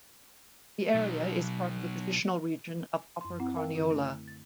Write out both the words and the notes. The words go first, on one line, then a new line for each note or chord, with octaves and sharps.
The area is part of the traditional region of Upper Carniola.
B2 F#3
F#2 C6
C4 E4 F#5
A#4 F5 G5 A5 E6
F#2 D3 E4
A3
A6